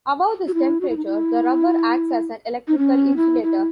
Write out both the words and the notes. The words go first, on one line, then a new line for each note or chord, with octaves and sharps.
Above this temperature, the rubber acts as an electrical insulator.
F#4
E4
F#4
E4
D#4
E4
D#4
C#4
E4
E4